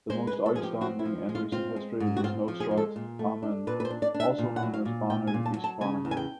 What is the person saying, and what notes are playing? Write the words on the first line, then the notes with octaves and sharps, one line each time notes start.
The most outstanding in recent history was Nosrat Amin, also known as Banu Isfahani.
G#3 C5
B4
G#3
A4
F3 G#4
G4
C4 F#4
E4
F3
G#3
F4
C4 F4
G#3
G#2
F#4
C4 F4
F3
G#4
G#3
A4
A#2
A3
D4
A#2 B4
B4
C5
D4
D5
D4
E5
A#2
F#5
F#3
F5
A#2
A#2 G5
G#5
A#2
A5
F#3
A5
C#3 G#5
E2
G#5
G5